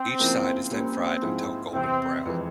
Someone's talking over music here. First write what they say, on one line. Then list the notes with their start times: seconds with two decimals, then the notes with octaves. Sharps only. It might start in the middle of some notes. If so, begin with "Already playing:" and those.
Each side is then fried until golden brown.
Already playing: C4
0.19 C#3 F3 A#3 E4
0.70 A#2 G3 A#3 C4 C#4
1.22 G#2 F3 G#3 E4
1.73 E2 C3 E3 C4
2.25 F2 E3 G#3